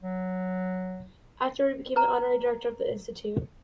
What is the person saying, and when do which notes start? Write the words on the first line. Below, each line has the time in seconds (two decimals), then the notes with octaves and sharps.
Afterward he became the honorary director of the institute.
0.03 F#3
1.96 B4 A#5